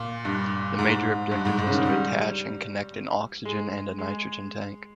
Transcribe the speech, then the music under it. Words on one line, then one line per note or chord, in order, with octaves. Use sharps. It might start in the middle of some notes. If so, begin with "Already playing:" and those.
The major objective was to attach and connect an oxygen and a nitrogen tank.
Already playing: A#2
G2
G#2
G2
G#2
G#2
C#3
D#3
G3
G#3
G#3